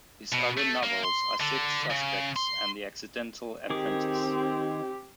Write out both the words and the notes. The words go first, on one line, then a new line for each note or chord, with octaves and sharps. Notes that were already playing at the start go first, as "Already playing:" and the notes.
His other novels are "Six Suspects" and "The Accidental Apprentice".
B2
A3
A#3
C6
D3
C#3
C6
D#3 C4 G4 G#4 D6